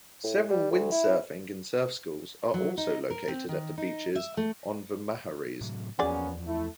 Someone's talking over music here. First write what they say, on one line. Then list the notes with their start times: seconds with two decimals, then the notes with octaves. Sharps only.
Several windsurfing and surf schools are also located at the beaches on the Maharees.
0.24 A2
0.50 G3
0.71 D2
0.91 E4
2.54 F#3
2.77 D#4
3.10 A#4
3.28 C4
3.49 D#3
3.78 D#4
4.15 E5
4.37 A3
5.61 A2 C3 F#3
5.99 E2 F3 A#3 B3 C#4 F#4 G#4 D5
6.44 A3 E4